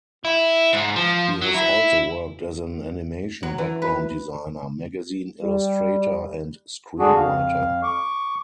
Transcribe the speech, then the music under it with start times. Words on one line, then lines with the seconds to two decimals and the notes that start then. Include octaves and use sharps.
He has also worked as an animation background designer, magazine illustrator and screenwriter.
0.25 E4
0.73 G#2
0.96 F3
1.42 F#3
1.54 E4
3.43 F#3
3.58 E3
3.82 B4
5.41 G3
6.99 D3 D4 F#4 G#4
7.15 F2 F5
7.83 C#6 D6